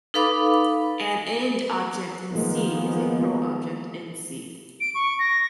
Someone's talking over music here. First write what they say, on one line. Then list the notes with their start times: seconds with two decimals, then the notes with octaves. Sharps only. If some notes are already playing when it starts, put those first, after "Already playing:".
An ind-object in "C" is a pro-object in "C".
0.14 D#4 A4 B4 F5 B5 D6
2.32 D#3 F3 G#3 A#3 B3
4.80 D7
4.95 C#6
5.19 A#6